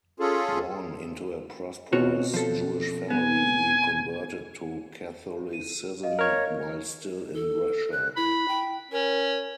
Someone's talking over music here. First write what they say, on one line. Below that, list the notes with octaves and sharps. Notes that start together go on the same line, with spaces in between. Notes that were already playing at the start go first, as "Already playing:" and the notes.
Born into a prosperous Jewish family, he converted to Catholicism while still in Russia.
C#4 F4 G#4 A4
B2 C4 F4 F#4 C#5
F3 A4
B3 G#5
D#7
D#5 F5
A#4 C#5
A4
F#6
E4 B5
G5
C#4 A#4